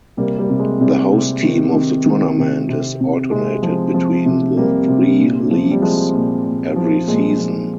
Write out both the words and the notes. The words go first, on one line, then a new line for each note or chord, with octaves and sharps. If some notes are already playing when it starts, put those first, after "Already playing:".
The host team of the tournament is alternated between the three leagues every season.
C3 G3 A#3
G3 A#3
C3
G#3
C3 G3
C3
D#3
D#3
D#3
C3
C3
C3
C3 G#3
F3
F3
C3
C3 G3 A#3
C3
A#2
F3
G3
F3 G#3
A#2
A#2
F3
A#2 G#3
F3